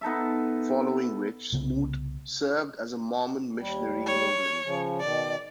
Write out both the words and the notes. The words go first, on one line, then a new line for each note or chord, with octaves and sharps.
Following which, Smoot served as a Mormon missionary in England.
B3 D#4 A4 E5
C2 C#3 B3
D#2 G3
C#5
C#3 F3
B2 D#3 D5